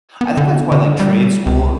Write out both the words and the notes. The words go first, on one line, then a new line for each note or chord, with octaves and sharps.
I think that's why, like, trade school
B3
D3
D3
G3
C#2